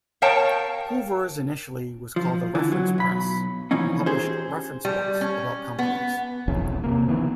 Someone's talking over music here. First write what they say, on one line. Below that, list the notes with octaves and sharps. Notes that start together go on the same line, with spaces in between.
Hoover's initially was called The Reference Press and published reference books about companies.
A#4 C#5 F5 G5 A5 A#5
F3
D3 E3
F#3
B1 B5
A#2 E3 F3 C#4 D#4
G4 G#4 C5
G3
C#4
B3
F1 B1 E2 C#4
C3 A#3
D#3 E3 B3